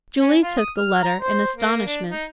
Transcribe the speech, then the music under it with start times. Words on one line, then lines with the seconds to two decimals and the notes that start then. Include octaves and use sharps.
Julie took the letter in astonishment.
0.19 C#4
0.42 F4
0.58 D#6
0.77 F6
1.03 A#5
1.21 C5
1.56 A#3
1.86 D4
2.11 D#4